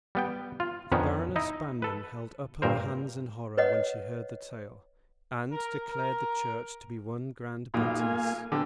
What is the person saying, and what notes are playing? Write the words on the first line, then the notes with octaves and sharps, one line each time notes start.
The Baroness Banmann held up her hands in horror when she heard the tale, and declared the Church to be one grand betise.
G3 B3 G5
F4
F2 D#3 F3 B3 C#4 D4
D#4 E4 D#5
A4 B4
G2 A#2 A#4 C5
B4 C#5 D#5 F#5
A#4
A#4
B1 A#2 D#4 F#4 F5
A#3 F5 G#5
D3 B3 G4